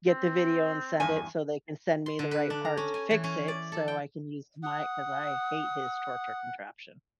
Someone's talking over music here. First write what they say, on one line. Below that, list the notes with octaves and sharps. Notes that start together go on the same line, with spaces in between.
get the video and send it, so they can send me the right part to fix it, so I can use my 'cause I hate his torture contraption.
C4
E2 G2 G#5
C6
D3
B4
D4
A#5
C#4
G#5
E3
C#4
D5
A4
G5
F#5 D#6